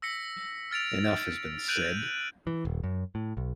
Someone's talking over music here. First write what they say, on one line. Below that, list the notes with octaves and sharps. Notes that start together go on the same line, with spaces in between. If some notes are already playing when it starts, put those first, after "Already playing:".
Enough has been said.
E6 A#6 B6 C#7
F6 A6 D7 F7
F#6 G6 D7 D#7 F7 F#7
E3
D#1
F#2
A2
B1